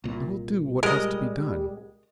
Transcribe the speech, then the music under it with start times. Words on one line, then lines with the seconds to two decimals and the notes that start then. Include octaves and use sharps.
"I will do what has to be done."
0.04 C2 A#2
0.83 G3 G#3 A#4 D#5